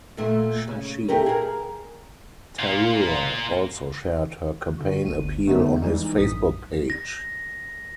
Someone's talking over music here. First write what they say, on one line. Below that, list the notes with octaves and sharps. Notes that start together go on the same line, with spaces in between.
Shashi Tharoor also shared her campaign appeal on his Facebook page.
A#2 A3
C#3
A3 G4 A#4
G#4 A#4
A#3 F4
D3 F#4
G1 D2 D#7
F2 D3 G3 A3 B3 D#4
E3 G3 G#3 D#4
A#1 F#2 A2 D#6 B6
A#6